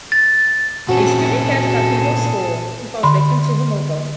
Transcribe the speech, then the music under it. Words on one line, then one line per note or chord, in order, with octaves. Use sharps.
A student at Kakugo's school, he falls victim to Hamuko.
A6
A#2 C4 C#4 F#4 G#4 A4
D3 B5 C6